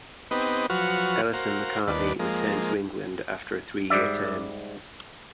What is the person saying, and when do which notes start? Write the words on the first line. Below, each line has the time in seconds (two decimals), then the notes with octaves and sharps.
Ellison-Macartney returned to England after a three-year term.
0.31 B3 C4 D#4 G4 B4
0.70 F3 F#3 F#4 B4 C#6 F6
1.33 F#4 A#4 C5 F5
1.88 D#2 D4 B4
2.20 F3 G#3 A#3
3.90 G#2 G3 D5 E5